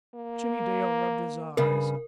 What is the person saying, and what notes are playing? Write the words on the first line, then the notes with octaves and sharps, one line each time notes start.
Jimmie Dale rubbed his eyes.
A#3
G2 C#3 A#4